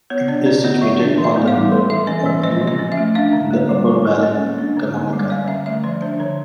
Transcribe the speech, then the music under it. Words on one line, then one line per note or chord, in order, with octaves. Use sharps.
It is situated on the river Oglio, in the upper Val Camonica.
B3 C#5
D4 D5
D3 D5
B3 D#5
F#3 E5
D4
E3
E5
B3
F5
G3
E3
E3 E5
C#4 D#5
G#3
F3 D#5
F3
D#5
C#4
E5
A3
D4 F5
D3
A#3
G3
F#3
F#3
C#4
A#3
D4
D3
A#3
G3
C#4 F5
D3 E5
A3 E5
F3 D5
D4 C5
D3 C#5